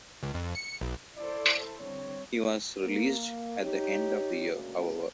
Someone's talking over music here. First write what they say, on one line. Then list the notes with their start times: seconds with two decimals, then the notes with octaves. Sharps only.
He was released at the end of the year, however.
0.23 C#2
0.34 F2
0.55 C#7
0.69 C#7
0.81 B1
1.17 E4 A4 C5 D5
1.79 D3 G3 C4 C#5
2.83 A#3
3.61 D#4 G4 C#5
4.52 D2 C#3 G#3 A#3 C#4 F#4